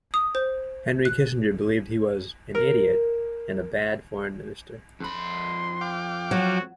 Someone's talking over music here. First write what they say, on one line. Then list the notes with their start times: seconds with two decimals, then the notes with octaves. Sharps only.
Henry Kissinger believed he was "an idiot" and a "bad" foreign minister.
0.14 D#6
0.35 C5
1.05 F#6
2.55 A#4
5.00 F2 B5 C6
5.81 F5 G5 D6
6.31 F#3 F#4